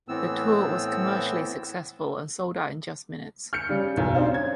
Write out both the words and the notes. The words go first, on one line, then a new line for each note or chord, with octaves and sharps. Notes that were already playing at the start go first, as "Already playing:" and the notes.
The tour was commercially successful and sold out in just minutes.
A2 E3 B3 C4 E6
F6 G6 C#7
C#3 G3
B1 E2
D4 D#4 C5 F5
C#4 G#6